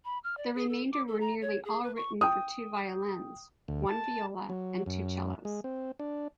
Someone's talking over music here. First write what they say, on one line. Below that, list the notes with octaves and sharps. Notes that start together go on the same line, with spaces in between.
The remainder were nearly all written for two violins, one viola, and two cellos.
B5
F6
D5
G#4
A4
D6
A4
A#5
C#5
G#4
B4
C#6
G5 D#6
D2
A5
F#3
F#2
G#3
C4
D4